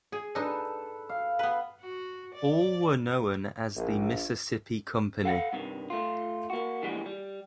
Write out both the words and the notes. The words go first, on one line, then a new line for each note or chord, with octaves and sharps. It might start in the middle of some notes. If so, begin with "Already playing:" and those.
All were known as the Mississippi Company.
G#4
D4 D#4 A4 B4
F5
B3 B4 B5
F#4
D5
A#1
A4 F5 F#5
G2 C3 D#3
A3 F4
A#3 F#4
D2 A#2 E3 F3 G3 G#3
G3